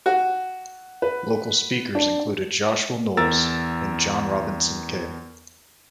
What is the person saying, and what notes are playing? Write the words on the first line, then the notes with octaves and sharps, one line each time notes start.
Local speakers included Joshua Knowles and John Robinson Kay.
F#4
B4
D4
E2 A#4 E6 A6